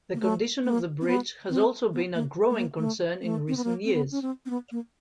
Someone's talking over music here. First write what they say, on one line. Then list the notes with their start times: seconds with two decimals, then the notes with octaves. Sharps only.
The condition of the bridge has also been a growing concern in recent years.
0.14 A#3
0.20 A3
0.64 A#3
1.01 C4
1.07 B3
1.50 C4
1.93 B3
2.15 A#3
2.50 A3
2.57 A#3
2.78 A3
3.22 A3
3.48 C4
3.57 B3
3.64 A#3
3.85 C4
3.93 B3
4.11 C#4
4.22 C4
4.45 C4
4.50 B3
4.72 A#3